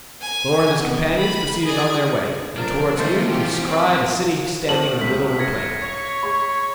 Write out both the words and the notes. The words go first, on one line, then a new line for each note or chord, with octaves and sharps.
Thor and his companions proceeded on their way, and towards noon descried a city standing in the middle of a plain.
G#5
B3
B5
G#4 D5
F3 D4 A#4
E3 A3 C4 F4 C5 D#5
G4
C4 B4 D5
A2 F3 C4 A5 F#7
C2 B6
G#6 A#6 C#7
C#5
B5 C#6